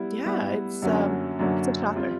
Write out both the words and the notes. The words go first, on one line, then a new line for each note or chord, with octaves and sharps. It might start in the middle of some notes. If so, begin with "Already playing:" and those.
Yeah, it's, um, it's a shocker.
Already playing: G3 B3 E4
G3 B3 E4
F#2 D3 F#3 A#3 C#4
F#2 D3 F#3 A#3 C#4
G3 C4 F4